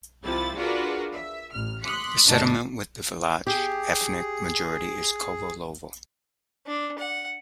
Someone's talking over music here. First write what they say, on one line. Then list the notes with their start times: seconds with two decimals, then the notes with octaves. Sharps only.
The settlement with a Vlach ethnic majority is Kovilovo.
0.24 C2 C3 F3 E4 A6
0.54 D4 F4 F#4 G#4 A#4 B4
1.12 E5
1.52 A1 F6
1.82 C6 D6 D#6 F#6 B6 C#7
2.27 G1 B2 A3 D4 D#4 A5
3.47 G4 G#4
6.66 D4
6.98 F#5